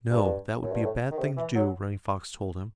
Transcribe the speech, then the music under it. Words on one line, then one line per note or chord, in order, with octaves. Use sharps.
"No, that would be a bad thing to do," Running Fox told him.
G2
F#2
G2
A2
D#3
C3
E3
F#3